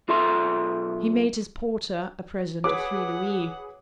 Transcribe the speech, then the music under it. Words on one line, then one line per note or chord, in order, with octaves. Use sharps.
He made his porter a present of three louis.
B1 F4 A4 E5 C6
F#4 G#4 B4 C#5 F#5 D6